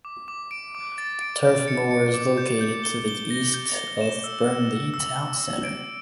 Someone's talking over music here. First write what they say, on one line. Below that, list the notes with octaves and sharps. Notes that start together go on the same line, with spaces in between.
Turf Moor is located to the east of Burnley town centre.
D6
D6
D7
D6
A6
D7
G6
C#7
C#7
D6
G6
G6
G7
G7
A#6
G6
G7
E7
E6
E6
E6
E6
E6
E6
D7